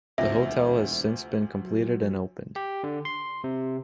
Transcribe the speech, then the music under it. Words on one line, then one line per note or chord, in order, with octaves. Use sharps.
The hotel has since been completed and opened.
E1 D2 C3 F3 E5
F#3
G4
D3
C6
C3